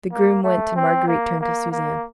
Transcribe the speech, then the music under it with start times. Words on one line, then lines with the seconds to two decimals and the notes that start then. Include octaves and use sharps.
The groom went, and Marguerite turned to Suzanne.
0.12 A#3
0.44 A3
0.76 C4
1.08 A#3
1.41 A#3
1.72 A#3